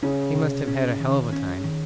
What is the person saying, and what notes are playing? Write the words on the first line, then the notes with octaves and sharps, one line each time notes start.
He must have had a hell of a time.
C#3 C#4
C3
C#4
D#3
C#4
D#3